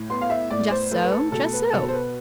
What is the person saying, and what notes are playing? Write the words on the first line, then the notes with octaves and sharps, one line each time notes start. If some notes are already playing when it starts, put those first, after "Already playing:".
'Just so, just so.
Already playing: A2
B3 C6
F5
E5
A2 D5
C5
A3 B4
B4
A4
B2 A4
B4
B2 A4
C5
B4